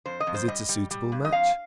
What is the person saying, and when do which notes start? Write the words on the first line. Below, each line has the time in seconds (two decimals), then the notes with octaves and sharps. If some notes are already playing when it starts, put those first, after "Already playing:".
"Is it a suitable match?"
0.06 F2 C5
0.20 D#5
0.27 F2
0.34 C5
0.48 G3 D#5
0.69 G3
0.91 G3
1.12 G2
1.25 D#5
1.32 F2 F5